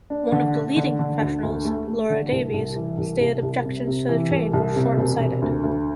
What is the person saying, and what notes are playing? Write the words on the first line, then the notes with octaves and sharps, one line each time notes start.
One of the leading professionals, Laura Davies, stated objections to the change were shortsighted.
D4
D3
A3
D3
D3
D2
D2
A3
A3
D3
C2
C2
E3
C2
C2
C2
C3
C3
E3
C2
C2
C3
E1
C3
D2
D2